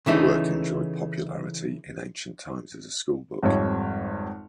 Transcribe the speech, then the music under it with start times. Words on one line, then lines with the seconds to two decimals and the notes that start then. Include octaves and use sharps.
The work enjoyed popularity in ancient times as a schoolbook.
0.06 C#3 E3 A3 D#4
3.43 G#1 F2 G3 C#5